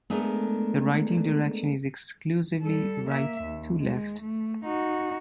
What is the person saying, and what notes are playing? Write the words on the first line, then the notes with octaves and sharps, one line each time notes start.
The writing direction is exclusively right-to-left.
G#3 A3 B3 D4 A4 A#4
G3 A4
A#3 E5
D#2
G#3
A3
D#4 F#4